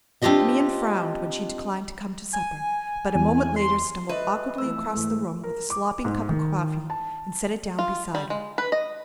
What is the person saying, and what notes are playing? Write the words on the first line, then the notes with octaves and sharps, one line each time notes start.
The man frowned when she declined to come to supper, but a moment later stumbled awkwardly across the room with a slopping cup of coffee and set it down beside her.
C4 D4 F4 G4 D#5 E5
G#5
E2
C6
B4 D#5 E5
E3 F3 A3 E6
G#2 E3 G3 A3
A#4
D6
G#2
D#3
A5
F4
G3
G#3
B4
D#5